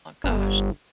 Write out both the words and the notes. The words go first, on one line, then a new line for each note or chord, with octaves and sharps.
Oh gosh.
G1